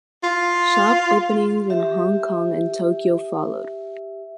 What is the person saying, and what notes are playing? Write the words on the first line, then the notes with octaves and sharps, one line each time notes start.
Shop openings in Hong Kong and Tokyo followed.
F4
G4 E5